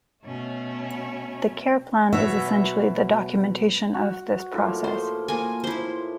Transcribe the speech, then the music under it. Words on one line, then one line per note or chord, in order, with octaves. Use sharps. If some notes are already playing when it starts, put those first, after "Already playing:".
The care plan is essentially the documentation of this process.
B2 A3 C#4
B2 F#4 C#5 E5
F#4
A2 F3 A#3
C5 C#6
A#3 G#5
E4 C5